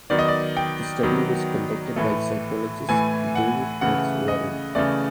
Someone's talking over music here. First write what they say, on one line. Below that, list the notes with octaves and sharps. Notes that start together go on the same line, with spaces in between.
The study was conducted by psychologist David H. Warren.
D#3 F#3 B3 D5
D#5
D5
G5
D#3 F#3 B3
A2 E3 A3
A2 E3 A3 G#5
F#5
C#3 E3 A3 F#5
D#5
C#3 E3 A3 D5